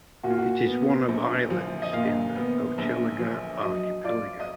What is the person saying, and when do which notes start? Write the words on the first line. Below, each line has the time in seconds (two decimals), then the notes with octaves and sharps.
It is one of islands in the Hochelaga Archipelago.
0.23 A#2 F#4
0.30 F4
0.38 F#4
0.65 B3
1.08 A#1
1.50 F3
1.82 D#5
1.93 A#2 F5
2.35 B3
2.78 A#1
3.19 F3
3.61 F#3 D#5
4.04 F4 D5
4.40 D#5